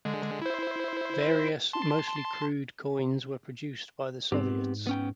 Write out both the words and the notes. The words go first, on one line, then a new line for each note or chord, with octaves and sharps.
Various, mostly crude, coins were produced by the Soviets.
D3 G#3
E4 C5
A5 C6
G#2 B3 C4 G4
B3 C#4 G5